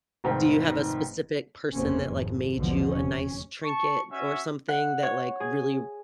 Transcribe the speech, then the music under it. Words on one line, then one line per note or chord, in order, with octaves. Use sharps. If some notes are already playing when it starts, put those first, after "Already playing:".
Do you have a specific person that, like, made you a nice trinket or something that, like, really
F1 G#2 D#3 G5
F#1 E2 C3 A#3 C4 C#4
G#1 F2
B1 E2 B2 D3 F3
F1 C#4
A5 C#6
C#4 F#4 E5
F#5
C#5
G#4